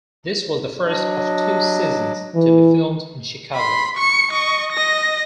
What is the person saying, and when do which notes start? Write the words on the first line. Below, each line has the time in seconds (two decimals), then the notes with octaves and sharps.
This was the first of two seasons to be filmed in Chicago.
0.85 F#3 D4 D#5
2.35 E3
3.54 B5 C6
3.97 C#6 C#7
4.31 D#5 C#6
4.72 D#5 A#6